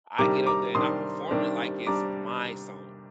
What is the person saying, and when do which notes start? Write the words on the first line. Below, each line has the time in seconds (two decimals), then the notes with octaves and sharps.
I get up there, and I perform it like it's my song.
0.18 C3 D#3 G3 D4 A#5 D6
0.46 A#5 D6
0.75 C3 D#3 G3 D4 C6 D#6
1.31 C3 D#3 G3 D4
1.87 G3 D4 A#5 D6